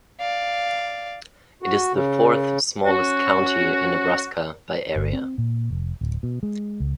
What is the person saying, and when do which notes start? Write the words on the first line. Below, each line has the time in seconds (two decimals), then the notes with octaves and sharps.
It is the fourth-smallest county in Nebraska by area.
0.20 D5 F5
1.62 F#4
1.93 C#3
2.86 F#3 C#4 F#4
4.96 G1
5.13 C4
5.38 A#2
5.71 F1
6.01 D1
6.23 B2
6.43 G#3
6.80 C#2